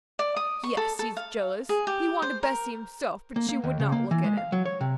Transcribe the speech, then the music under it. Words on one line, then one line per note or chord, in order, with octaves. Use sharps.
Yes, he's jealous--he wanted Bessy himself, but she would not look at him.
D5
D#6
C#6
A4
A4
F5
G#4
G4
C5
A#4
A#3
A#3
D#2
C#3
A#3
E3
G#3
F5
F#3
C#5
C3